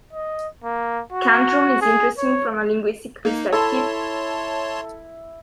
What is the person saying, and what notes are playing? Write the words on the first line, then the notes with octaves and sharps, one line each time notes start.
Kantrum is interesting from a linguistic perspective.
D#5
A#3
F#4
G#4
C#5
A#3 D#4
E4 A4 C#5 E5 A5 C6